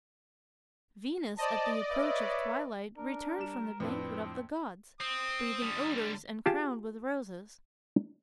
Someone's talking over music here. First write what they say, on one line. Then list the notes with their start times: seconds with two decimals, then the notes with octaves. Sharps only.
Venus at the approach of twilight returned from the banquet of the gods, breathing odors and crowned with roses.
1.38 C5 D5 D#5 A5
1.91 B4 C#5 E5
2.97 D4 A#4
3.39 G3 E7
3.80 F2 A2 C4 D4 B4
5.00 C4 D#6
5.62 D3 G3
6.46 F4 G4 G#4 A5